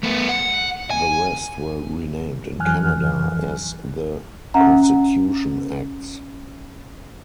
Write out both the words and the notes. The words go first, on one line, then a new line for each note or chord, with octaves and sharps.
The rest were renamed in Canada as the "Constitution Acts".
A3 B3
F#5
G#5
F2 E3 F#3 G#5 F6 F#6
C#4 E5 F#5 A#5